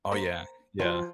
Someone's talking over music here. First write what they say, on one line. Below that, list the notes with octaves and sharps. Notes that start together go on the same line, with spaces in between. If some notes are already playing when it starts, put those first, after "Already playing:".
Oh, yeah. Yeah.
A#3 A#4 C5
F3 F#3 F4 C5